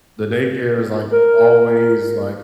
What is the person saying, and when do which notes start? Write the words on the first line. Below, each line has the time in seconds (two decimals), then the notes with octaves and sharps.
the daycare is, like, always, like,
1.12 A#4